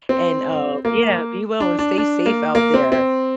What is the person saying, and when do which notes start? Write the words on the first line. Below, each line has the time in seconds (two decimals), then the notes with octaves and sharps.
and, uh, yeah, be well and stay safe out there.
0.09 C4
0.85 A#3
1.60 D4
1.79 D4
1.98 D4
2.26 A#3
2.55 A#3
2.74 C4
2.92 C4